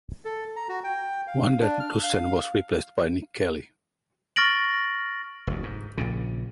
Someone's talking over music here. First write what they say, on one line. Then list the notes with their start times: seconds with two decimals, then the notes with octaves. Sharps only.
Van der Dussen was replaced by Nick Kelly.
0.25 A4
0.56 A#5
0.69 F#4
0.84 G5
1.27 F5
1.61 D4
1.80 F6
2.03 F5
4.36 C#6 F6 A6 A#6 D7 F#7
5.47 F1 D2
5.63 G#2
5.98 A#1 A#2 C#3